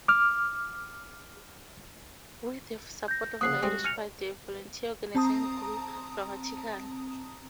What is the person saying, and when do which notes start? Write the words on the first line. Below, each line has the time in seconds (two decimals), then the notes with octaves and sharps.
With the support of the Irish Party the Volunteer organisation grew dramatically.
0.08 D6 F6
3.08 G6 A#6
3.41 C#3 F3 A#3 F#5 D#6 C7
3.63 G3 G#3 C4 F#4
3.84 G#5 F6 C#7 F7
5.15 C4 A5 A#5 D#6